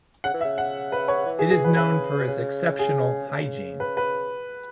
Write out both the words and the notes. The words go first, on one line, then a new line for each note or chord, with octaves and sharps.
It is known for its exceptional hygiene.
C#3 F#5
E3
E5
C#3
F#5
B4
C#5
C#3
E3
G#4
G#4
B4
B2
C#3 B4
B2
C#3
G#4
C#3
B4
B4